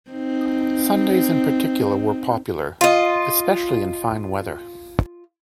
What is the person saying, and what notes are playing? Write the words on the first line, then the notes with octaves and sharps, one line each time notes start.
Sundays in particular were popular, especially in fine weather.
C4 D#4
F4 D#5